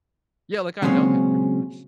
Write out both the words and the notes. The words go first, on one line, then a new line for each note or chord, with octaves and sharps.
Yeah like, I know him pretty much.
A#2 C#3 F#3 G#3 C4 C#4